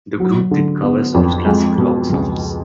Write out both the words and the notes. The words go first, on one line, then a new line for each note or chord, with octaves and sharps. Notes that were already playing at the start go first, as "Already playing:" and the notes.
The group did covers of classic rock songs.
F#3
D3
B3
F2
G#3
B2
C#2